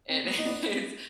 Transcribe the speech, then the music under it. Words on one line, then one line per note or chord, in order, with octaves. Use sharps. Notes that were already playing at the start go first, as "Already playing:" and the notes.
it is
C4
B3
D#4
B3 D4